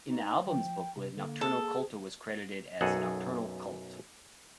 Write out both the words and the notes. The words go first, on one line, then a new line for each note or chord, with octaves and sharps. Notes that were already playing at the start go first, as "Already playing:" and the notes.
In the album's booklet, Nocturno Culto was credited as "Nocturnal Cult".
D#4
F3 G5
C3
D3 A#3
G#4 A4
B1 F#2 G#4 A4 D#5 F#5